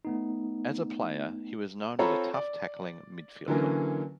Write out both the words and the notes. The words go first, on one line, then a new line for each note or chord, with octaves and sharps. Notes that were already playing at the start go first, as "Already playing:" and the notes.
As a player, he was known as a tough-tackling midfielder.
A3 B3 D#4
C4 F4 A4 C#5 A#5 B5
D5
D3 E3 F#3 A#3 C#4